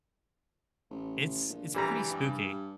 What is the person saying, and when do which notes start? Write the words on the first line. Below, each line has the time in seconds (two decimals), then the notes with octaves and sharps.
It's it's pretty spooky.
0.90 A1
1.49 A#1
1.74 E3 G3 A#5
2.10 G2